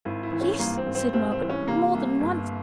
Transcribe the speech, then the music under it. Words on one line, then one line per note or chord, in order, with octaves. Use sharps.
'Yes,' said Margaret, 'more than once.
G#1 E4
E4
E3
C#4
G2 A#3
C4
G#1
C4
C2 C4
C4
E3
C#4
C3 A#3
C2
G1